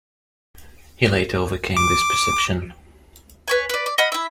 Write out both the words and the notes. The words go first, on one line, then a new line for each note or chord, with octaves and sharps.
He later overcame this perception.
D6
B4 C#5 G#5
B4 D5
D5
D#5 F#5 B5 F6
E4 E5